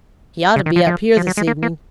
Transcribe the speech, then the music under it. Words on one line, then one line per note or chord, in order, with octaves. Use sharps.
He ought to be up here this evening.
C#3
D#3
F3
F3
F3
F#3
G#3
A#3
A#3